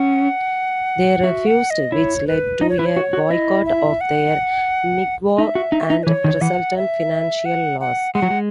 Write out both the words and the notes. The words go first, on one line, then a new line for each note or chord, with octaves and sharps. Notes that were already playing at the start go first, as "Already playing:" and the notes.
They refused, which led to a boycott of their mikvah and resultant financial loss.
Already playing: C#4 F#5
F#4 E5
F#5
D#5
E4 C#5
B4
D#4 D#5
C#5
E4 B4
C#5
F#4
F#4
E4 D#5
E5
F#5
D#4 E5
F#4
D#4
D#4
B4
E3 C#5
D#3
E3 F#5
E5
F#5
F#5
G#3 F#5
F#3
G#3